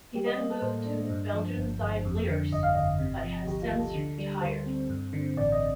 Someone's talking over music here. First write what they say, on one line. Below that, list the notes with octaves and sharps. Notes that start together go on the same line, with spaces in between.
He then moved to Belgian side Lierse, but has since retired.
G3 G4
D#5
A#3 D#5
A4
A2 C5
D4
G2
F3
G1
G1
F2
D3
G1 D#5
F5
G1 D#5
C3
F3
D2 G4
F4
D2
A4
D3
G3
D2 C5
C4
G2
D3
A1 D5
D#5